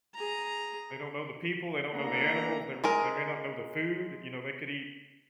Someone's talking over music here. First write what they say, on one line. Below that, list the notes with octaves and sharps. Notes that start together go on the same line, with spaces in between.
They don't know the people. They don't know the animals. They're they may not know the food. You know, they could eat
G#4 A#5
A3 A#3 D4 E4 F#5 A#5
G#3 G#4 A#4